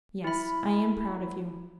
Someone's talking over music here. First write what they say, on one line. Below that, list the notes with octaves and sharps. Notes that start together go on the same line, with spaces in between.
"Yes, I am proud of you."
E4 B5